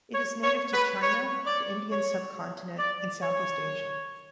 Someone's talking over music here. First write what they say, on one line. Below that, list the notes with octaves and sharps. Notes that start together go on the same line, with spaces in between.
It is native to China, the Indian Subcontinent, and Southeast Asia.
C#5
C#5
B4
C#5
D5
C#5
D5
C#5